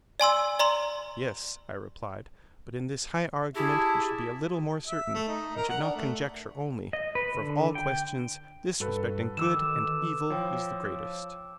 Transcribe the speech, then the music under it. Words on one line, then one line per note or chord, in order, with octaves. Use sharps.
Yes, I replied, but in this high argument you should be a little more certain, and should not conjecture only; for of all questions, this respecting good and evil is the greatest.
D5 G#5 C6 E6
D5 A#5 C6
E4 G4 G#4 A5
E5
A3
D#4
A#4
F#5
D4
A3
D#5
B4
D3
G5
G2 F#4 A4 B4
D#3 D6 E6 E7
F3 C#5 G5